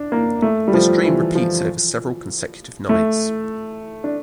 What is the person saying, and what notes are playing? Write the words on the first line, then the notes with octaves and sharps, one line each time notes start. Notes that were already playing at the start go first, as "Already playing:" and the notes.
This dream repeats over several consecutive nights.
Already playing: D4
A#3
A3
G3
F3
E3
F3
A3
D4